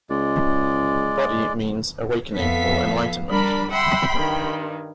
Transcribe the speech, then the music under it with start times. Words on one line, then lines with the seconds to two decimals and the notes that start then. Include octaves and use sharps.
"Bodhi" means "awakening" or "enlightenment".
0.10 C#2 G#3 D5
2.34 F2 B3 A4 E5 F5 B6
3.29 G3 D4 A#4 B5
3.72 E5 F#5 G5 B5 C6
4.15 G2 D#3